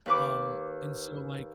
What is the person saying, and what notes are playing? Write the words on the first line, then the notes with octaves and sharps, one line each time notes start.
Um, and so, like
D#2 B4 D6